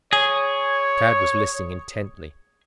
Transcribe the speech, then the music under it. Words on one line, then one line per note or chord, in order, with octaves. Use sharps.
Tad was listening intently.
G#4 C#5